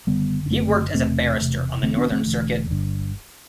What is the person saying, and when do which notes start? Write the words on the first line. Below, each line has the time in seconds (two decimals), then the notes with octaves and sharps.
He worked as a barrister on the Northern Circuit.
0.07 F#1 F#2 D3 G3 B3
0.46 D4
0.50 F#1 F#2 D3 A3 C4
0.94 E1 E2 C3 A3 C4
1.38 E1 E2 C3
1.82 E1 E2 D3 A3 C4
1.97 B3 D4
2.12 A3 C4
2.26 E1 E2 D3
2.70 G1 G2 D3